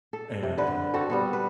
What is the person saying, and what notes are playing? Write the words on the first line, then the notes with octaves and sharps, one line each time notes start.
and, uh
A4
C3
D3 B4
C4 F#4 A4
G3 B3 A4
B4